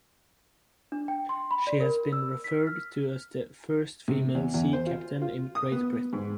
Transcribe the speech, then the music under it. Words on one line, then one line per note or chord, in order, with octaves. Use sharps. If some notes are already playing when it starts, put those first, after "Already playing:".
She has been referred to as the first female sea captain in Great Britain.
D4
G5
C6
B5
D5
A#4
E6
B6
F6
C3
E2
E2
C5
F4
F4
D#6
B3
G#2